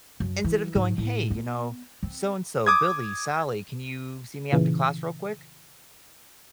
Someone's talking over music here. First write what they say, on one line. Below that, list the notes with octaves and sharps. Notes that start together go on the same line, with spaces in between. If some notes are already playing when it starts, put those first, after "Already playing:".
instead of going, "Hey, you know, so-and-so, Billy, Sally, can you see me after class real quick?"
F#2
E3
G#2
A2
B3
C4
D6 D#6 G#6
A#2 C#3 E3